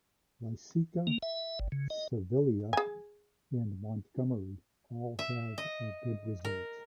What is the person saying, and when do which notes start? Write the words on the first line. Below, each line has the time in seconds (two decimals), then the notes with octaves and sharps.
Laiseka, Sevilla and Montgomery all have a good result.
1.07 A#3
1.23 E5
1.59 G1
1.72 C#3
1.90 D#5
2.73 G#4 G#5
5.19 E5
5.58 D#5
6.45 A#4